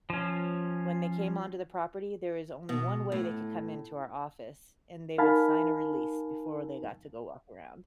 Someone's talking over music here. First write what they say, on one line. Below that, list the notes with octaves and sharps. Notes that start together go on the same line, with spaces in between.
When they came onto the property, there is only one way they could come into our office, and they would sign a release before they got to go walk around.
F3 C#4
B2
A2
D#4 A#4 F5 G#5 A5 B5